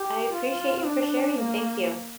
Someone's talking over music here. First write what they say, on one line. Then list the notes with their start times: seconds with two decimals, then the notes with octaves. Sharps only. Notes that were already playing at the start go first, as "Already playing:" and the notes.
I appreciate you for sharing, thank you.
Already playing: G4
0.33 F4
0.86 D4
1.38 A#3